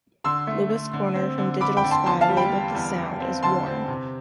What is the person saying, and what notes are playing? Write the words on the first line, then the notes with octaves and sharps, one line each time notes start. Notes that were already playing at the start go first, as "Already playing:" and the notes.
Lewis Corner from Digital Spy labeled the sound as "warm".
D3 C6 E6
A3
A3
D3
C4
D3
D3 B5 D6
G5 B5
D3
A5 C6
E2 A5 C6
F5 A5
G3
G5 B5
G3
E2
E2
C4
D3 A5 C6
C4
C3